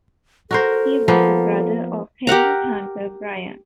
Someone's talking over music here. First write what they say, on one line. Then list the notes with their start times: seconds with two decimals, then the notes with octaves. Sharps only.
He was a brother of Henry Hunter Bryan.
0.51 F#4 A4 A#4 C5
1.08 F3 A#3 B3
2.27 G4 A#4 F#5 A#5